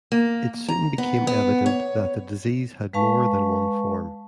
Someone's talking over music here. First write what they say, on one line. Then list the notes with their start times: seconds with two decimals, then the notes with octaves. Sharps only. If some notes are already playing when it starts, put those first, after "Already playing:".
It soon became evident that the disease had more than one form.
0.12 A#3
0.68 A#5
0.98 B3
1.27 B3
1.66 C#5
2.93 G#3 B4 F5 A5 C#6